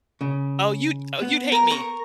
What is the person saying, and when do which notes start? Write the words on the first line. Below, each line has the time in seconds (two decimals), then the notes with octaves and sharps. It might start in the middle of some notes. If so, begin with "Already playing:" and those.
oh, you'd oh, you'd hate me.
0.21 C#3
1.21 B3
1.52 A#4 A#5
1.70 A#4 A#5 C#6